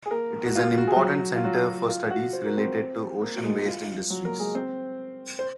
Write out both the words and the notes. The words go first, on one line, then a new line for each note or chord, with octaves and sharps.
It is an important center for studies related to ocean-based industries.
G#4
A#3 A#4
F#4
F4
F#4
G#4
F#3 F#4
F4
F#3 F#4
F4 F5
F#4 F#5
C5
A#4
C4 C5
A#3 A#4
F#4
G#3 G#4
F4
F#3 F#4
A#3 A#4
G#3 G#4
C4 C5
C5